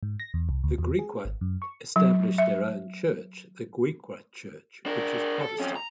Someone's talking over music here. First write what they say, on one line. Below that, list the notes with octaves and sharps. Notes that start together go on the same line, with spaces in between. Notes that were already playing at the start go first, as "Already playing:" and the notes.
The Griqua established their own church, the Griqua Church, which is Protestant.
G#2
A#6
E2
C2
D2
E2
G#4
G#1
F#2
C#6
F#3
E5
D4 A#4
A4
F2 C#4
A#5